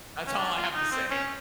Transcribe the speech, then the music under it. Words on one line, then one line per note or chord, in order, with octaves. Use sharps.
That's all I have to say.
C#4
D4
F4
D#4
C4
C#4